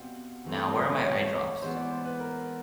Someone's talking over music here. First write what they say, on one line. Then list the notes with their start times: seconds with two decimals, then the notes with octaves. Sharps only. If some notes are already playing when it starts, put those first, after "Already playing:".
Now, where are my eyedrops?
Already playing: B2 G3 C4 F5 F#5
0.45 E3 A3 C4
0.74 C5
0.89 C#5
1.04 C#5
1.62 E3 G#3 B3 C5
1.76 D5
1.91 C5
2.05 B4
2.20 A#4